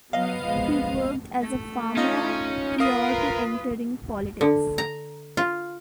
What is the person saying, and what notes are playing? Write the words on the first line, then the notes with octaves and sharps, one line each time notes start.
He worked as a farmer prior to entering politics.
F#3 B3 D#5 F5
F3 G#3
A3
C#4 D#4 F4 D#5
F4 A#4 B4 F5 D#6 D#7
D3
A#5
F4